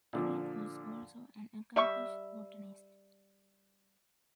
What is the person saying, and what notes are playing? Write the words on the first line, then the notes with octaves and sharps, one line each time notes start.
Egede was also an accomplished botanist.
A#2 D3 F3
G3 E5 C#6